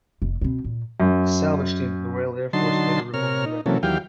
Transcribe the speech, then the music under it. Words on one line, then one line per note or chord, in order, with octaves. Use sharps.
A salvage team from the Royal Air Force later removed the wreckage.
F1
B2 C4
A#2
F#2
D3 F#3 D#4 A5 C6
C3 A#4 C#5 F6
D#4
C3 E3 F#3 A#3 C#4 A4
D#2 E3 F#3 G4 F5 G5